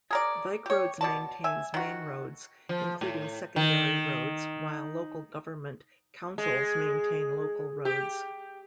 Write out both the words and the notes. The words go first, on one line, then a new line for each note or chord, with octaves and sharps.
Vicroads maintains main roads, including secondary roads, while local government councils maintain local roads.
G#4 A#4 D5
G4 C#5
B2 D5 A5
E5 G#5
D#3 F#4
F3
A2
D#3
G#3
G4